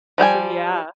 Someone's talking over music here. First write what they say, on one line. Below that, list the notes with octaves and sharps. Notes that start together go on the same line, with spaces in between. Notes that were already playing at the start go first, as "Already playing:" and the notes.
So, yeah.
F3 G3 G5 G#5